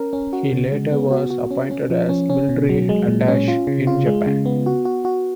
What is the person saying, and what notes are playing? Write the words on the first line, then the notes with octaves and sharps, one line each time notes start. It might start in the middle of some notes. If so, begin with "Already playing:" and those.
He later was appointed as Military Attache in Japan.
Already playing: C#4 A#4
C#4
F#4
C#3
G#3
B3
F#4
F#4
C#4
C#4
F3
C#4
C#4
B2
F#3
G#3
A#2
C#4
F4
C#3
F4
G#3
C#3
B3
F#4
F#4
F#4